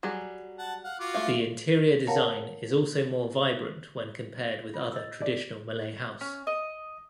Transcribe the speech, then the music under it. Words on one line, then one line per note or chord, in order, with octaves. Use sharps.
The interior design is also more vibrant when compared with other traditional Malay house.
F#3 G3 G#4
F#5 A5
F5 F#5
F4 F#4 D6
A3 E5 F5
A#4 C#5 F5 F#5 A5 A#5
F4
D#5 E6
D5
C#4
D#5